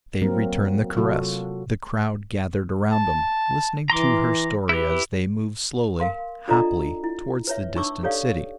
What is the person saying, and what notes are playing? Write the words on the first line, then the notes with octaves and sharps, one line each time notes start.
They returned the caress, the crowd gathered around them, listening to her story as they moved slowly, happily, towards the distant city.
F#3 A#3 C4 A#4
C3 F#3 F4 F#4 A4
A5
E3 A#5 C6 D6
E4 G4 B4
A#4 F5 C6
D4 F4 A4 D5 D#5 A#5
E4
B4 C#5 E5
D4 D#4 C#6 D6 E6
G4 A4 C#5 D5 F5